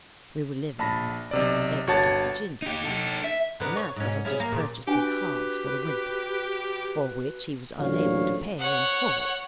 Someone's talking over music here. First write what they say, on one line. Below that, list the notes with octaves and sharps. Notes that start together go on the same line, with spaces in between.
We were living at Prince Edward, in Virginia, and master had just purchased his hogs for the winter, for which he was unable to pay in full.
A#1 A5 B5 A#6
B1 C3 D5
G1 F#4 C#5 A5 A6
D#4 G4
D#4 A4
E5
D3 B3 A#4
C#5
G#2 C#4
C#4 E4 G#4
A#3
F2 A#2 C#3
D4 F#4 G4 B4 G#5
A1 D2 A#2 F#3 C#5 F5
C#5 F#5